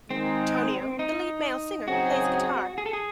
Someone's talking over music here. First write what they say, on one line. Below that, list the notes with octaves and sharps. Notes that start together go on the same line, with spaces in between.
Tonio, the lead male singer, plays guitar.
D#3 G#3 C4 D#4
D#4
C#3 F#3 C4 D#4 F#4 G#4
G#4
A4
G#4